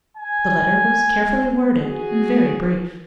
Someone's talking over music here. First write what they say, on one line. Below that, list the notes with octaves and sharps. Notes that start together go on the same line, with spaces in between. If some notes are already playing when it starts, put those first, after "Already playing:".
The letter was carefully worded, and very brief.
G#5
F#3 F#4 G#4